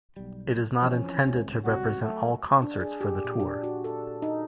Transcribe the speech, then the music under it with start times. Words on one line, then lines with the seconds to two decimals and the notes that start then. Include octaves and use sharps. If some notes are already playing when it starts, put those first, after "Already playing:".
It is not intended to represent all concerts for the tour.
0.17 B1 G3
0.82 E3 F3 C4 C#4
1.27 D#1 C#2 C3
1.65 C#2 C3 G3 F#4
2.02 F#3 A3
2.62 D4
2.80 G#4
3.01 G4
3.25 A#2
3.40 D4
3.64 F#4
3.84 A4
4.22 D#4